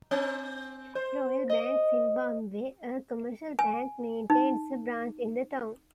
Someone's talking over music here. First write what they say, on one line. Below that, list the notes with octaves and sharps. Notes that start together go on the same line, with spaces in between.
Royal Bank Zimbabwe, a commercial bank, maintains a branch in the town.
C4
C5
D#5
G#5
D#4